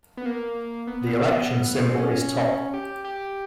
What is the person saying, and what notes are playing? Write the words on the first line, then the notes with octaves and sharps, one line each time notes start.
The election symbol is top.
B3
A#3
B3
B3
B3
C4
C#4
C#4
G4
G4